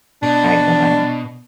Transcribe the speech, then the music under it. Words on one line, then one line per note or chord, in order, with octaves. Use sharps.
Alright, bye-bye.
B2 D4